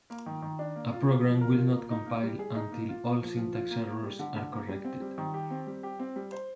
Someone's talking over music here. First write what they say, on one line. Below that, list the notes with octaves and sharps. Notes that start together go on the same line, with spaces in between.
A program will not compile until all syntax errors are corrected.
A#3
D#3
D#3
D4
A#3
F4
A#3
F3
A#4
F4
A#3
D#4
A#3
G3
G#4
D#4
A#3
F4
A#3
F3
F3
F4
A#3
A#3
G3
D3
D3
A#3
G3
C4
G3
D#3
G4
C4
G3
G4
C4
G3
C5